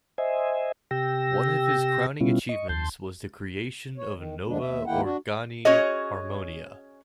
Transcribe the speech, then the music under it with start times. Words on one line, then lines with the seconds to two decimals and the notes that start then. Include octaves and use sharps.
One of his crowning achievements was the creation of the "Nova Organi Harmonia".
0.18 C5 D#5 E5 G#5
0.91 C3 G4 G5 E6 A#6
2.20 B2 G3 B3 C#4 E4 F4
2.49 D#5 C#6
2.69 D#2 A5 C6 G6
3.98 C#5
4.16 D#3
4.47 F2 A#2 D3 F3 G#3 D4
4.60 D#2 E5
4.87 D2 D#3 A#3 E4 F#5 G5
5.02 D4 F#4
5.65 C#4 F#4 G#4 C#5 D#5